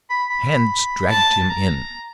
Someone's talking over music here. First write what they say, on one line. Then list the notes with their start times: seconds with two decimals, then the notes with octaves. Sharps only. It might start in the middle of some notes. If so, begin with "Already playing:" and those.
Hands dragged him in.
0.10 B5
0.30 B5
0.50 B5
1.10 A5
1.50 A#5